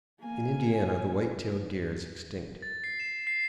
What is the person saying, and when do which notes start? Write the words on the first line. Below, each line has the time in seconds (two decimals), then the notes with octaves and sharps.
In Indiana the white-tailed deer is extinct.
0.20 A#3 G#5
2.62 A6
2.84 C7
3.00 E7
3.27 C7